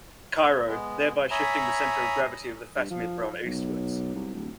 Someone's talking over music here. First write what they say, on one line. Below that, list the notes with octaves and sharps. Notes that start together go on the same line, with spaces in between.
Cairo, thereby shifting the centre of gravity of the Fatimid realm eastwards.
G#3 B3
C#5 E5 G#5 A#5 B5 D#6
G2
F3
B1
C2
D1